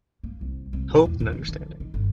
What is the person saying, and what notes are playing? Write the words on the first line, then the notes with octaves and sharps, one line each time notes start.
Hope and understanding,
A#3
C2
C2
A#2
E2
D#2
E3
D3
D#3
G1